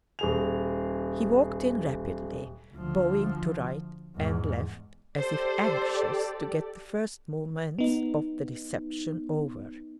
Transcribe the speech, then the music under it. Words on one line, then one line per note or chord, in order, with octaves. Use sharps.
He walked in rapidly, bowing to right and left as if anxious to get the first moments of the reception over.
D#1 G#4 F7
D2 F3
E2 G#2
G4 A4 C5 D5
B3 D#4